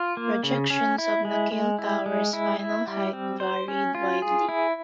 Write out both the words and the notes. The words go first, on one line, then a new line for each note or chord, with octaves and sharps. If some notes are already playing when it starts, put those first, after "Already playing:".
Projections of Nakheel Tower's final height varied widely.
Already playing: F4
A#3
C#3
C#4
E4
G#3
G#3
E4
G#3
E4
E4
G3
C4
C5
C#4
F4
G#4
E4